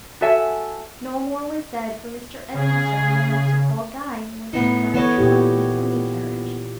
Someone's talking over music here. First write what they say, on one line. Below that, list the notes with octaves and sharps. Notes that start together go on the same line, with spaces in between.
No more was said, for Mr. Edmonstone ran up to call Guy, who was to drive Charles in the pony-carriage.
F#4 A4 E5 G#5
C#3 G#4
A2 B3 D#4 E4
E3 B3 A4 C#5 D#5
A#2 E4 G4